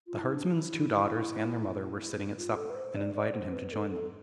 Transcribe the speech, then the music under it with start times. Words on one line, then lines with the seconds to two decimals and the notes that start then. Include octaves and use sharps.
The herdsman's two daughters and their mother were sitting at supper, and invited him to join them.
0.07 F4
0.20 E4
0.34 D4
0.48 E4
2.37 F4
2.56 A4
2.70 B4
2.75 C5
2.95 D5
3.14 D5
3.33 C5
3.52 B4
3.72 A4
3.91 A4